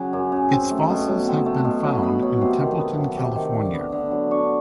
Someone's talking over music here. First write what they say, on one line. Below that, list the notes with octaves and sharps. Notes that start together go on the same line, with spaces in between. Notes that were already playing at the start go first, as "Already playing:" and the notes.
Its fossils have been found in Templeton California.
Already playing: C#3 F#3
F#2
C#3
C4
A3
B2
F#3
C4
A3
B2
F#3
B3 B5
F#3
C3 C6
D#3
B3
F#3
C3
D#3
D4
B3
D3
F#3
D4 C#6